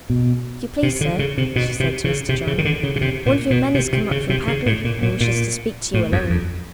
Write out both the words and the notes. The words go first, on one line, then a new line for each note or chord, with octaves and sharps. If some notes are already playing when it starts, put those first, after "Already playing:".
"If you please, sir," she said to Mr. John, "one of your men is come up from Padley; and wishes to speak to you alone."
B2
C3
D3
C#3
C3
B2
C3
C#3
C3
C#3
D#3
D3
C#3
C#3
C3
A#2
B2
C3
C3
C#3
C3
C#3
A2
A#2
A#2
A#2
A2
F#2
F2